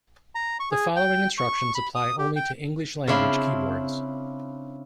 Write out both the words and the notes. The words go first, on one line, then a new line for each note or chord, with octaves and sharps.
The following instructions apply only to English-language keyboards.
A#5
C#6
G#4
G5
C#6
B5
D#6
G4
G5
C#3 C4 D4 E4 F4